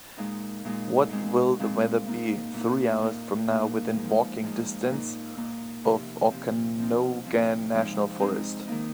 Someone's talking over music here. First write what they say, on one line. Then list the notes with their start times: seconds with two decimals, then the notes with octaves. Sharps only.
What will the weather be three hours from now within walking distance of Okanogan National Forest?
0.17 A#2 G#3 D#4
0.65 A#2 G#3 D#4
1.10 A#2 G#3 C4
1.60 A#2 G#3 C4
2.06 A#2 A#3 D#4
2.54 A#2 A#3 D#4
3.01 A#2 A#3 D#4
3.48 A#2 A#3 D#4
3.96 F3 G#3 D#4
4.43 F3 G#3 D#4
4.90 A#2 A#3 D#4
5.37 A#2 A#3 D#4
5.84 C3 F3 C4
6.31 C3 F3 C4
6.78 F3 C4 D#4
7.25 F3 C4 D#4
7.73 F3 G#3 C4 D#4
8.20 F3 G#3 C4 D#4
8.67 D#3 A#3 D#4